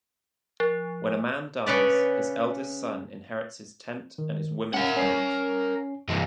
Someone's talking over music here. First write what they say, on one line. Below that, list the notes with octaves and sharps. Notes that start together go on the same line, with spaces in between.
When a man dies, his eldest son inherits his tent and his women's-boat.
F3
C#3 C#4 B4 D5
D#3
C#4 A#4 F5 F#5
C#4 C7
G2 E3 G3